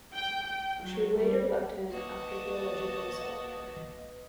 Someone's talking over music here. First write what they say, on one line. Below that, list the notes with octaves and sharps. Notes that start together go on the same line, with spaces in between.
She later left him after he allegedly assaulted her.
G5
G5
F#3
G3
A#3 F#4 B4 D#5 A5